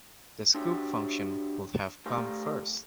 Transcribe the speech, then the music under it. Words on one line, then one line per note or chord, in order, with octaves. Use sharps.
The scoop function would have come first.
D4 F#4 G4 C5 C#5 E5
A3 G4 A#4 C5 D5 F5